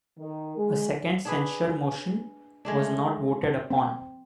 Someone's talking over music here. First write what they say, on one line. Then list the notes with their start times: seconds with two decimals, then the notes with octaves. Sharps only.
A second censure motion was not voted upon.
0.19 D#3
0.57 G#3
1.25 D4 G#4 B4
2.65 G#3 A3 D4
3.71 C4